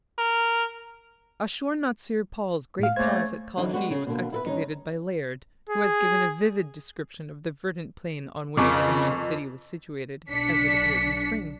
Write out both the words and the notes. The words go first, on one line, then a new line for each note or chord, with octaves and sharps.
Ashur-natsir-pal's great palace at Kalkhi was excavated by Layard, who has given a vivid description of the verdant plain on which the ancient city was situated, as it appeared in spring.
A#4
A2 F5
C#3 A3 A#3 C5 G#6
D3 E3 F#3 C4 D#4 E4
G3 G#3 B3 F#4
C#3 G#4
B2 D3 A#3
E4 A4 B4
G2 C#4 D#4
G#4
F2 C#3 A#4 G#5 C#6 D6
B1 D4 B6 C#7